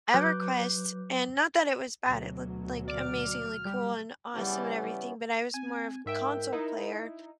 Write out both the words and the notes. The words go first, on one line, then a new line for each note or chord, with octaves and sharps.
EverQuest and not that it was bad. It looked, like, amazingly cool and awesome and everything, but I was more of a console player.
F#3 B4 D6 F#6 G6
D2 B2 F#3
D5 D6 F6
G3 G4
C#3 E3 G3 B3
C4 G#5
G#2 A#4 E5 G5
D#4 E4